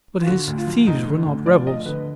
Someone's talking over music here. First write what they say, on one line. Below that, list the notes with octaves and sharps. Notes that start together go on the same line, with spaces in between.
But his thieves were not rebels.
F4
D3 F#4
D2
F4
F3
D2 D#4
D3
D2
F3 D5
D2 D#5
D3 B4